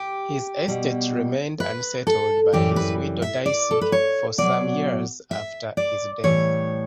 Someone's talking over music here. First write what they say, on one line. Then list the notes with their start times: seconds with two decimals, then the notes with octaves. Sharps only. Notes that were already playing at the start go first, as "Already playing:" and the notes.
His estate remained unsettled by his widow Dicey for some years after his death.
Already playing: G4
0.68 B2 G3
1.60 B4
2.07 A4
2.53 F#2 E3 G3 G4
2.76 B4
3.22 E5
3.46 D5
3.71 A4
3.81 B4
3.92 C#5
4.38 B2 F#3 D5
5.31 E5
5.77 D5
6.24 A2 E3 G3 C#5